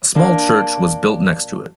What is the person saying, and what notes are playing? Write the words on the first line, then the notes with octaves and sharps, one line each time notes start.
A small church was built next to it.
A#3 D4